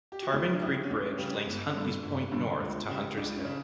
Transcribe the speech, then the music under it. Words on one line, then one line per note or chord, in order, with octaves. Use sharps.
Tarban Creek Bridge links Huntley's Point north to Hunters Hill.
G4
F#4
D2 E4
D4
C#3 G3 E4
C#4
D2 D4
C#4
C#3 G3
C#4
G1 B3
C#4
G2 D3 A3
G1
G2 D3 A3
C#2
C#3 G3
C#2 D4
C#4
C#3